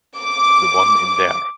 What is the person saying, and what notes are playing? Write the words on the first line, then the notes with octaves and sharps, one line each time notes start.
The one in there.
D6